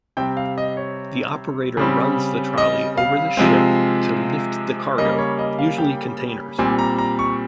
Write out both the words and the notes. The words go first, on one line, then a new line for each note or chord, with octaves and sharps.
The operator runs the trolley over the ship to lift the cargo, usually containers.
C3 G3 C4 G5
F5
D#5
C#5
C#3 G3 C4
D#5
F5
C3 F3 G#3 C4
C#3 G3 A#3 D#5
C#5
D#5
F5
G5
A#2 G3 C4 G#5
A#5
A#5
C#6